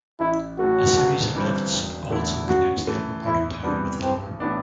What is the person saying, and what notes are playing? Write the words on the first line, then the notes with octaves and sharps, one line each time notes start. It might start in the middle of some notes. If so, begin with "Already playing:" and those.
A series of lifts also connects the upper part of town with the lower.
A1 E4
A2 F#3 A3 F#4
G1
G2 E3 G3 C4
E1
E2 D3 A3 E4
F#2 F#4
E3 A3
E2 E4
C3 E3 G3 B3 D4
B1 C4
A2 E3 B3 D4